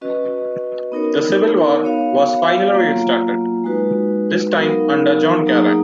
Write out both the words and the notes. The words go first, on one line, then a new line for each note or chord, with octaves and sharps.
The civil war was finally restarted, this time under John Garang.
C#4 F#4 B4 D#5
B3 D#4 A#4 C#5
B3 F#4 C#5 F5
F#3 A#3 F4
G#3 D#4 F#4 B4
F#3 B3 D#4 A#4 F5
F#3 A#3 D#4 G#4